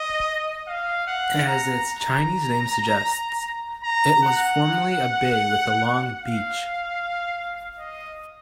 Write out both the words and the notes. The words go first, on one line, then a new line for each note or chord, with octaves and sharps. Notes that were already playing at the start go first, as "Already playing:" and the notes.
As its Chinese name suggests, it was formerly a bay with a long beach.
Already playing: D#5
F5
F#5
A#5
A#5
A#5
F#5
F5
D#5